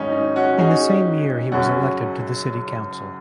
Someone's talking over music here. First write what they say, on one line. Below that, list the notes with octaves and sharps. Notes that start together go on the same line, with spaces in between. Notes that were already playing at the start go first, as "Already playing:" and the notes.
In the same year he was elected to the city council.
Already playing: G#1 G#2 F#3 C#4 D#4
D#4
C#4 F#4
D#4 G#4
F#1 F#2 C#3 C#4 F#4